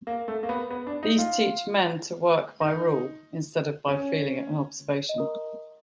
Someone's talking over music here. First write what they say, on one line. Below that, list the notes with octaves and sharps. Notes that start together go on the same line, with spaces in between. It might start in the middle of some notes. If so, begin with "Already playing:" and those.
These teach 'men to work by rule, instead of by feeling and observation.
A#3
A3
A#3
B3
B3
D4
D#4
F4
D#4
C#4